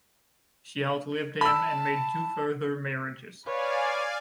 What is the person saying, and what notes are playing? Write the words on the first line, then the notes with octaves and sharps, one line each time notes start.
She outlived him and made two further marriages.
A5 B5 E6
B4 C#5 D5 F5 G#5